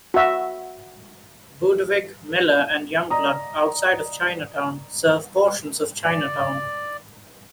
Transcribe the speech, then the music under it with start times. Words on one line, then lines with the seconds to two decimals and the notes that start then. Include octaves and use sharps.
Budewig, Miller, and Youngblood, outside of Chinatown, serve portions of Chinatown.
0.14 F#4 E5
3.10 D5 D#5 A#5 D#6
6.05 D5